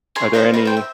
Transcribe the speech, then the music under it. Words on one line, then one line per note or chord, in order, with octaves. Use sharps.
Are there any
G#4 C#5 A#5 C6
D#4 C5 D#5 F5
B4 F5 A#5
C5 G5
E5